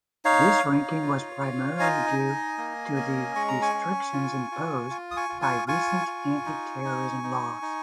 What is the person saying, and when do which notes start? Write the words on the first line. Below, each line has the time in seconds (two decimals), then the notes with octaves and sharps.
This ranking was primarily due to the restrictions imposed by the recent anti-terrorism laws.
0.25 D#4 C#5 F5
0.64 D#4
1.02 F4
1.41 F4
1.80 D#4 D#5 G#5
2.19 D#4
2.58 A#3
2.96 C#4
3.35 G#3 C#6
3.48 A#5
3.62 G#5 C#6
3.74 C#4
4.13 F4
4.51 F4
4.90 F4
5.11 D#6
5.17 G#5 C#6
5.29 F4
5.42 G#5 C#6
5.68 F4 G#5 C#6
6.07 F4
6.46 D#4
6.84 D#4
7.23 D#4
7.62 D#4